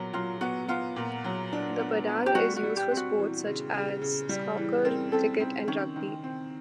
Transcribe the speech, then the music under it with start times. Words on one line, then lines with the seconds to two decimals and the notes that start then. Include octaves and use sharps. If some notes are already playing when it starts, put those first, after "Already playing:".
The Padang is used for sports such as soccer, cricket and rugby.
Already playing: A#2 F#3 B3
0.13 F#3 F4
0.41 B3 F#4
0.68 B3 F4
0.96 A#2
1.24 F#3
1.52 D4
1.79 B3
2.07 B3
2.26 G4
2.35 G3 F#4
2.57 F#4
2.63 G3
2.77 G4
2.91 C4
2.97 F#4
3.19 E3
3.46 C#3
3.74 C#3
4.01 C#3
4.29 G3
4.57 E3
4.85 C4 A#4
5.12 C4 A4
5.40 C4 D#4
5.67 D#3 C#4
5.96 D#3
6.23 C4